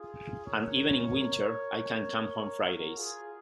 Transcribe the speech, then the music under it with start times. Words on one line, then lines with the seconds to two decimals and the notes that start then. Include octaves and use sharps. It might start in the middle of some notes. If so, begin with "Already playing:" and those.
And even in winter I can come home Fridays.
Already playing: F4 G#4
0.46 A#4 C#5
2.61 F#4 A#4
2.97 F4 G#4